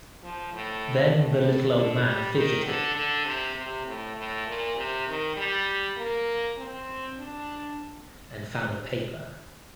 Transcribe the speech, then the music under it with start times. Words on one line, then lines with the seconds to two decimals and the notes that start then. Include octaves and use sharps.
Then the little old man fidgeted and found a paper.
0.23 F3
0.53 A2
1.13 A2
1.73 D3
2.04 G3
2.34 D#3
2.64 D3
2.95 D3
3.25 C3
3.55 C3
3.86 A2
4.16 A2
4.47 A#2
4.76 C3
5.07 D#3
5.36 G3
5.97 A#3
6.58 C4
7.18 D4